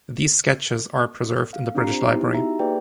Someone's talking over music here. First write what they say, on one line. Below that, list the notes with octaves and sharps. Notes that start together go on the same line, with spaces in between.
These sketches are preserved in the British Library.
F5
C4 D4 F4 G4 A#5 C7
C5
B3 D#4 E4 G4
D#4 F#4 G4 E5 A#5
A#3 G4 G#4 B4 D5 G5